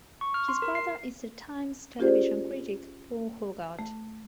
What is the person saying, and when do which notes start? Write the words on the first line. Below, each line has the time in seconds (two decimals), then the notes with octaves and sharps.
His brother is the "Times" television critic Paul Hoggart.
0.21 C#6
0.34 F6
0.48 C6
0.62 A#4
0.75 C7
1.99 C#4 F4 G4 G#4 C5 D5
3.79 A3